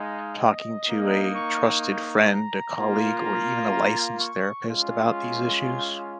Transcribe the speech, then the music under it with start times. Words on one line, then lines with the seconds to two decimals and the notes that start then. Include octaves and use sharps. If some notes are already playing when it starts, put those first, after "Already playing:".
talking to a trusted friend, a colleague, or even a licensed therapist about these issues?
Already playing: G#3 D#4 F5
0.39 D#5
0.87 A#3 D#4
1.34 C#6
1.81 C#6
2.29 A#5
2.78 A#3 F4
3.25 A#5
3.72 A#5
4.20 C#6
4.68 G#3 C#4 F4